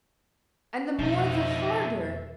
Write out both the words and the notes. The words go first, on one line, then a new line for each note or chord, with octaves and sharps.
And the more the harder!
F2 B2 F3 D#4 E5